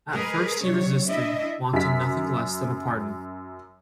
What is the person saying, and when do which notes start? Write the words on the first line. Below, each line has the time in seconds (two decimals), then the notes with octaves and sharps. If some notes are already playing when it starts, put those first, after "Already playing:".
At first he resisted, wanting nothing less than a pardon.
0.13 G#3 G#4 A#4 B4
0.62 C3 F#3 D4 C#5
1.07 D4 E4 D#5 E5
1.73 F#2 B6